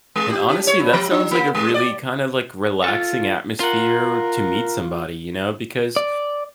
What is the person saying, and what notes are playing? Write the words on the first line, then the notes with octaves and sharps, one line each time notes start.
and honestly, that sounds like a really, kinda, like, relaxing atmosphere to meet somebody, you know? Because
G#3
G4
C#4
C#5
G2
F3
D4
A#3
G#3
D5
F4 A4
F4 A#4 F#5
D5